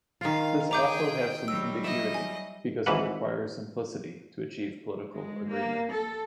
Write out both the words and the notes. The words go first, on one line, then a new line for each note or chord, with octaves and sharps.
This also has some ambiguity, because it requires simplicity to achieve political agreement.
D#3 F4 F5
G#4 G5 A#5 D6 G6
F#3 G3 E6
D#5 E5
G#5
G#1 G#2 E3 B4 F#5
G#3
A#3
A4